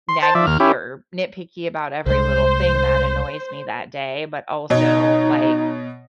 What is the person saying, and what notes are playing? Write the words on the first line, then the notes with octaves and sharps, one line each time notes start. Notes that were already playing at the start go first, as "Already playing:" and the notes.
naggy or nitpicky about every little thing that annoys me that day, but also, like,
C6
C5 A5
F3 D5 E5
D#2 F6
C#4 E4 G4
C2 G#3 C5
B2 D#4 C#5 D#5